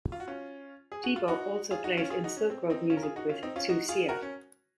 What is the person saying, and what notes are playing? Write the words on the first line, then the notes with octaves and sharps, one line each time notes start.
Thibault also plays in Silk Road Music with Qiuxia.
F4
F#4
C#4 F4
G#4
F#4
F4
D#4 F#4
F4 G#4
D#4 F#4
C#4 F4
F4 G#4
D#4 F#4
C#4
C4
C4 D#4
C#4 F4
A#4
F4 G#4
D#4 F#4
C#4 F4
C4 D#4
C#4 F4
D#4 F#4
F4 G#4
F#4 A#4
C#4